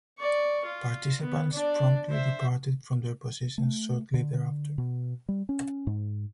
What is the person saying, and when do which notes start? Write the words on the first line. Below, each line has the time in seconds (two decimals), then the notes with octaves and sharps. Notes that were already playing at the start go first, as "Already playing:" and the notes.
Participants promptly departed from their positions shortly thereafter.
0.19 D5 C#6
0.65 F4
1.21 B3
1.53 D4 D5
2.10 C5 E5
3.58 A3
4.14 D3
4.78 B2
5.29 G3
5.49 C#4
5.87 G#2